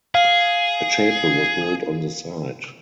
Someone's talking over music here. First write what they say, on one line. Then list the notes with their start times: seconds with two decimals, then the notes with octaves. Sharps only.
A chapel was built on the site.
0.15 G#4 F5